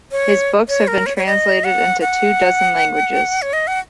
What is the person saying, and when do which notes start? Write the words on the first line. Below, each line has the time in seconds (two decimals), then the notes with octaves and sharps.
His books have been translated into two dozen languages.
0.11 C#5
0.68 C#5
0.88 A#4
1.06 C#5
1.17 C#5
1.26 D#5
1.64 F#5
2.01 F#5
3.42 C#5
3.53 D#5
3.67 F#5